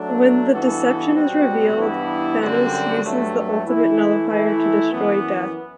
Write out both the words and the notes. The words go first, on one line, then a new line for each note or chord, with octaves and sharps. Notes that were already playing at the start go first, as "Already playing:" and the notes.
When the deception is revealed, Thanos uses the Ultimate Nullifier to destroy Death.
Already playing: F#3 A3 D4
G2 E3 B3 F#4 A4
B2 G3 C4 F#4
G2 E3 B3 E4
F#2 D3 G3 C4 F#4
G2 F#3 A3
E3 A3 E4
E3 A3 E4
F#2 E3 B3